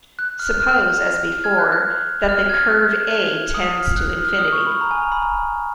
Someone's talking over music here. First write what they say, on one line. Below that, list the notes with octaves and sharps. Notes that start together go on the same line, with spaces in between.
Suppose, as before, that the curve "A" tends to infinity.
F#6
F6
F6
F6 G#6
F#6
F#6
F6
F6 G#6
F#6
D#6
F6
F#6
F6
F6
D#6
C#6
B5
A#5
G#5
A#5
B5
A#5